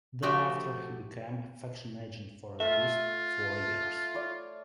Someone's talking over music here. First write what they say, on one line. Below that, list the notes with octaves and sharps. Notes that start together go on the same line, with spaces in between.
Thereafter he became a Faction agent for at least four years.
F3 A3 F#4 G4
A3 F4 E5
C#5 D5 C#6